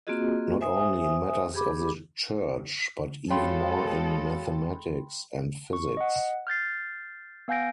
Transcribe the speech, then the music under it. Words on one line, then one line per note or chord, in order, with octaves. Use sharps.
Not only in matters of the church, but even more in mathematics and physics.
A#3 C4 F4 F#4 G#4 D#5
C5 E5 G#5 D#6
G4 G#4 B5 D6
G#3 F#4 A4 C#5 F5 G5 B5 C6
C#6
D#5 F#5
F6 G6 A6 C7
B3 F5 G#5 G6 A#6 D7